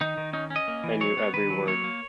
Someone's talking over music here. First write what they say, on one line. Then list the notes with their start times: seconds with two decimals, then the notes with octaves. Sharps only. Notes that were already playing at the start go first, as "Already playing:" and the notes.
I knew every word.
0.01 D#3 D#4
0.17 D#3
0.33 C#4 D#4
0.50 C#4
0.56 D#5
0.68 A#3
0.84 E3
1.00 F#3 C#5
1.18 B3
1.33 D#3 B4
1.50 F#3
1.67 A#3 C#5
1.84 A#3